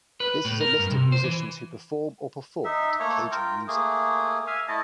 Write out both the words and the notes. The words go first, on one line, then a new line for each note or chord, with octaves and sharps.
This is a list of musicians who perform or performed Cajun music.
B4
A2
A#4
G2
C3
C5
E3
D#4 E5
A3 A#3 A4 C#5
F4 A#4 G5
A3 A#3 G#4
E5 F5 G#5
A3 E4 D#5 A5